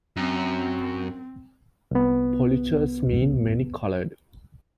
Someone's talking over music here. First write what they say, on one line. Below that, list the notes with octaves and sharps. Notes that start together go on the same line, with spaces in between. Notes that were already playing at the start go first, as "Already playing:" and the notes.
"Polychrus" means "many colored".
F#2 C4
C2 B3